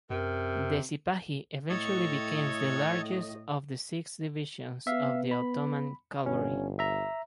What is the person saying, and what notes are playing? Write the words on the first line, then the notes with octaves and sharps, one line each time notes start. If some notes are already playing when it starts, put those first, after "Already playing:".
The Sipahi eventually became the largest of the six divisions of the Ottoman cavalry.
F#2 C3 A#4
A2 A4 C#5 D#5 G#6
B3 E5 F5
B5
G1 C#4
E5 A#5